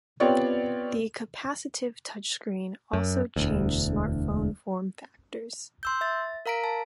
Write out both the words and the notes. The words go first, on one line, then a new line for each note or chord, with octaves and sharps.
The capacitive touchscreen also changed smartphone form factors.
B3 C4 F4 G4 C#5 D5
F#2
E1 D2
C6 E6 G6
E5 A6
A#4 F5 A#5 B6 D7
A5